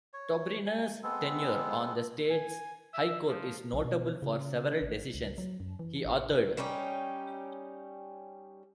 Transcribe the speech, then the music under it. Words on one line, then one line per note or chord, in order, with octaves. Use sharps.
Tobriner's tenure on the state's high court is notable for several decisions he authored.
C#5
G#5
G#3 B3 C4 A4
G#5
E5
F3
B1
B2
C#3
A1
C#2
F#3
F#2
E3
A1
G3 C#4 D#4 G4